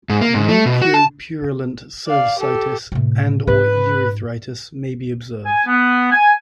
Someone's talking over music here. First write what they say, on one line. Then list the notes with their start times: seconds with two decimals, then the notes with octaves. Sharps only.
Mucopurulent cervicitis and or urethritis may be observed.
0.09 G#2
0.21 A#3
0.34 G#2
0.49 A3
0.66 B2
0.82 F#4
0.94 A5
2.07 D5 F5
2.39 G4 A4
2.92 A2 C3
3.47 G#2 C#4 B4
5.45 G#5
5.67 B3
6.12 G#5